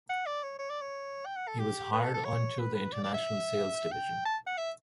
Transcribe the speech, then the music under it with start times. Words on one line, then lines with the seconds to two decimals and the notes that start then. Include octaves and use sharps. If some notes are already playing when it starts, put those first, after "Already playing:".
He was hired on to the international sales division.
0.09 F#5
0.26 D5
0.43 C#5
0.59 C#5
0.70 D5
0.81 C#5
1.26 G5
1.36 F#5
1.47 A4
1.59 G4
1.92 B4
2.04 A4
2.14 A4
2.25 C#5
2.59 B4
2.75 B4
2.92 D5
3.03 D5
3.14 E5
3.91 G5
4.25 A5
4.47 F#5
4.57 E5